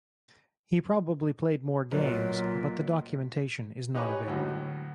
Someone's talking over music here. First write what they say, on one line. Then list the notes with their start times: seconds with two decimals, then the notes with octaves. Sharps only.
He probably played more games but the documentation is not available.
1.92 B1 A#2 F#3 F4 B4
3.95 D#4 G4 B4 C#5 G#5 C#6
4.28 D2 A2 F#3